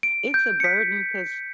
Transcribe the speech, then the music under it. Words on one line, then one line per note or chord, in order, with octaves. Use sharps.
it's a burden, 'cause
D7
G6
C#7
B6